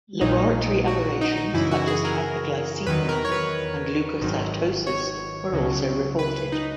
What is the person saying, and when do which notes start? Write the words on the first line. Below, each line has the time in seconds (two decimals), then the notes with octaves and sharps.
Laboratory aberrations such as hyperglycemia and leukocytosis were also reported.
0.21 A#1 A#2 F#3 D#4
0.87 F#4
1.21 D#4
1.37 D#4
1.54 F#2 C#3 E3 E4
1.71 F#4
1.87 G#4
2.04 A#4
2.87 E2 D#3 F#3 B4
3.09 A#4
3.25 C#5
3.32 B4
4.20 G#1 G#2 D#3 F#3
4.87 C#5
5.53 C#2 C#3 F#3
6.19 B4
6.36 B4
6.52 D#4